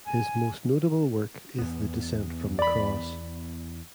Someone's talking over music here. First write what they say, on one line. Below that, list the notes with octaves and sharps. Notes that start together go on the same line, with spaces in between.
His most notable work is the Descent from the Cross.
G#5
E2 B3
D5 B5